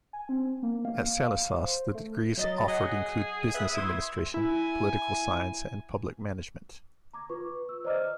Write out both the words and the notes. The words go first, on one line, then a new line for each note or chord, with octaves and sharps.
At Salesas, the degrees offered include business administration, political science and public management.
G#5
C4
A#3
F5
C5
A3
F#3 D#5 A6
G#4 D#5 F#5
B3 E5 D#6
E4 C6 G#6
E4 G#5
A#5 D6 G#6
F4 B4 C#6
E6
C5 D5 D#5 A#5 D6 F6
F6